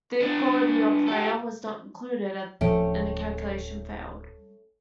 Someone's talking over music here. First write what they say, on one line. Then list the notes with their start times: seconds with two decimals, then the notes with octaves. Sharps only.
The equality operator was not included and the calculation failed.
0.21 B3 D4
1.07 G4 A4
2.61 D1 F3 A3 C#4 G5